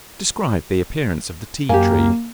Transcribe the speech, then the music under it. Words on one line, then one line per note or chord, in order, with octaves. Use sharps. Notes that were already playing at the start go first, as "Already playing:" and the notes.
Describe the appearance of the Tea-tree.
F#2 A#3 G4 G#5